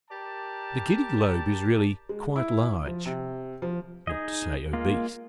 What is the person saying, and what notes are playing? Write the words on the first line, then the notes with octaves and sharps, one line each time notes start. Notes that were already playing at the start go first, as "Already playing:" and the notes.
The Giddy Globe is really quite large, not to say obese.
G4 A#4 D5 A5
G#3
E4
F3
C3
F3
D#4 G#4 D#5
G#3 A#3 F4